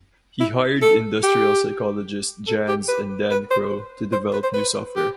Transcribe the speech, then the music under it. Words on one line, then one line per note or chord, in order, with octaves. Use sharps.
He hired industrial psychologist Janz and Dan Crow to develop new software.
E4
A4
G4
A4
G4
B4
B4
C5
C5
B4
C5
B4
G4